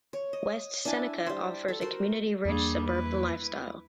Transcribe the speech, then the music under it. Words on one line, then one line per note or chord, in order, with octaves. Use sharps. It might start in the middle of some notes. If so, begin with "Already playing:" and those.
West Seneca offers a community-rich suburban lifestyle.
C#5
D#5
D4 E4 G#5 A5
G3 C5
A4
F#4 A#4 C5
E2 G3 A#3 D4 G#4
E4 B4